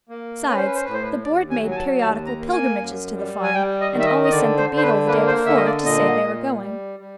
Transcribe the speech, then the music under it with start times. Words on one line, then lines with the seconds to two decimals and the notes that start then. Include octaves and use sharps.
Besides, the board made periodical pilgrimages to the farm, and always sent the beadle the day before, to say they were going.
0.09 A#3
0.47 C#4 B4
0.57 C5
0.66 B4
0.75 C5
0.84 A2 B4
0.94 C5
1.03 B4
1.24 D#2 D5
1.51 G#5
1.63 F#3
1.71 G#5
1.76 A5
2.01 D#2 A5
2.26 A#5
2.39 A#3
2.52 G#5
2.78 F#2
3.16 G3
3.43 G#5
3.55 G3 G5
3.81 D#5
3.94 D#3
4.00 E5
4.06 D#5
4.24 D#5
4.31 D3 D5
4.58 C5
4.70 D3
4.77 C5
4.82 B4
5.08 A#3 B4
5.27 C5
5.46 D3 E5
5.56 D#5
5.66 D5
5.85 A#2 D#5
6.23 A#2
6.61 G3
7.00 G3